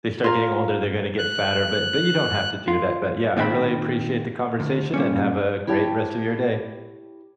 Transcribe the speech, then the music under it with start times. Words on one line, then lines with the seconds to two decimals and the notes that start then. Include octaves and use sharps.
they start getting older, they're gonna get fatter, but but you don't have to do that, but yeah, I really appreciate the conversation, and have a great rest of your day.
0.24 F4 A#4
1.18 F#6
2.68 F4
3.37 A#2 D#3 C4 E5 B5
4.60 D2
4.94 A#2 G3 C#4
5.67 E4 G4 C#5 G5 A5